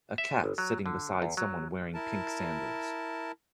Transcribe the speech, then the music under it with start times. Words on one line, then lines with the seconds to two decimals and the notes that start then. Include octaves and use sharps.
A cat sitting beside someone wearing pink sandals.
0.18 E5
0.44 G1
0.58 F#3
0.86 D3
1.22 E2
1.37 F#3
1.94 E4 A#4 A5